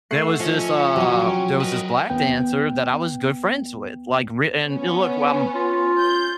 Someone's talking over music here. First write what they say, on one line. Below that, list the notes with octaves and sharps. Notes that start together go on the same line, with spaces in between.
there was this, uh, there was this black dancer that I was good friends with. Like, re and a look, um,
A3 F#5 E6 C7
F3 C#4 D#5 E5 G#5
F#3 A#5 C6
G5
A#4 B4 D#5
D#2 B3 G5
B3 C#4
F4
G6